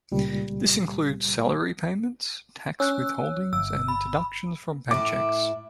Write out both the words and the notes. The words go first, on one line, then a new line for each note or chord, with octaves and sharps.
This includes salary payments, tax withholdings, and deductions from paychecks.
C#2 A#2 G3
C#4 E6 F#6
G1 E6
B5
A2 E4 D6